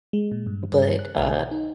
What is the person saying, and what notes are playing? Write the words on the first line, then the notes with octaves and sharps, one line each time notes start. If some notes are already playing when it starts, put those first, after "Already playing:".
but, uh,
G#3
A#2
G2
G2
F#6
B1
D#4